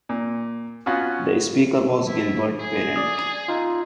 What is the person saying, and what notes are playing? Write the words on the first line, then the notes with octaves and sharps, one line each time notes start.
The Speaker was Gilbert Parent.
A#2
B3 C#4 F4 F#4
E4
G#4
D5 D#6
D#4 F4